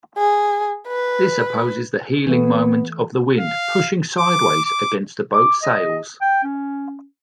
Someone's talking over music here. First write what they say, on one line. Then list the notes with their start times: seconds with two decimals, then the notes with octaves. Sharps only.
This opposes the heeling moment of the wind pushing sideways against the boat's sails.
0.18 G#4
0.87 B4
2.27 E3 A3 B3 A4
3.39 F5
4.18 D6
4.65 D6
5.34 D6
5.62 D#5
6.21 G5
6.44 C#4